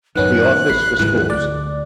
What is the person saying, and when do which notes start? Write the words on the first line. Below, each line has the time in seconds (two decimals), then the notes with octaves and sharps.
The Office for Schools.
0.16 A1 F#2 D#3 B3 C#4 F#6
0.69 A1 B5 C7
0.99 D#2 G#2 E3
1.30 D2 A3 D5